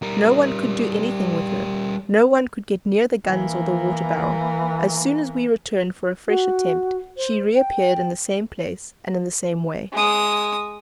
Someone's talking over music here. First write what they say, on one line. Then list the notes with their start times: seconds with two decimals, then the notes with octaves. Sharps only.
No one could do anything with her; no one could get near the guns or the water-barrel; as soon as we returned for a fresh attempt she reappeared in the same place and in the same way.
0.02 G3 A#4
3.27 E3 A#3
6.28 F#4
7.17 C5
7.56 G5
9.93 G#3 D#6